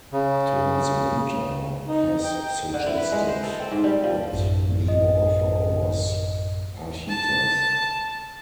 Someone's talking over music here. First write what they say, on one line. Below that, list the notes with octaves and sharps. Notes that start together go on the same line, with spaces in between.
Thomas Winter has suggested that the author was Archytas.
C#3
D#4
G5
D3
E4
B4
G#3
C5
A4
C4
G#2
G3
F3
A1 F#2 A2
D#5
A5